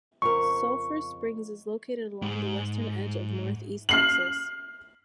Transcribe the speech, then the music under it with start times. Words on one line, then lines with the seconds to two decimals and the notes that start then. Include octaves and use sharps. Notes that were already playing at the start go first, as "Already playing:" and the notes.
Sulphur Springs is located along the western edge of Northeast Texas.
0.22 F2 C#3 A#4 C#6
2.22 G#2
3.89 F6 C7 F#7